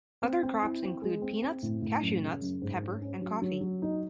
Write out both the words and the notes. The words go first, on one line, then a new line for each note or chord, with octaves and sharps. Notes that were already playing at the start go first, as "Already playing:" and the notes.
Other crops include peanuts, cashew nuts, pepper, and coffee.
C4
C4
E4
C4
G#3
C4
C4
A2
A2
F#2
C#3
F#2
G#2
C#4
C#4
F#3
F#3
F#3
D#4